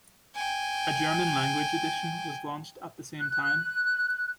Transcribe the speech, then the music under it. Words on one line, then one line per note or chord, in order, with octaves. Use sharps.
A German language edition was launched at the same time.
G5 G#5
F#6